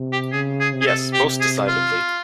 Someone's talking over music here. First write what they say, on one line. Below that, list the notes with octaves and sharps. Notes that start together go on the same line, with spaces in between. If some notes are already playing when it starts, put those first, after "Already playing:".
Yes, most decidedly.
Already playing: C3
G4
C#3 G#4
G#4
C3
G#4
A4
G4
G#4
F4